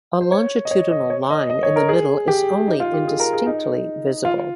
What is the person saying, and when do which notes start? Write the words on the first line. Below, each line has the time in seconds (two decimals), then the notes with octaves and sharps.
A longitudinal line in the middle is only indistinctly visible.
0.21 C5
0.32 C#5
0.65 D#5
0.71 C#5
0.91 D#5
1.10 C#5
1.30 D#5
1.50 D#5
1.63 C#5
1.76 A#4
1.89 G#4
2.28 G4
2.68 D#4
2.80 F4
2.94 G4
3.07 G#4
3.20 A#4
3.33 G#4
3.46 D#4
4.25 F4